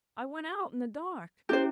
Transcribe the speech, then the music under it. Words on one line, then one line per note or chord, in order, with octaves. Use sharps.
'I went out in the dark.'
C#4 E4 G4 C5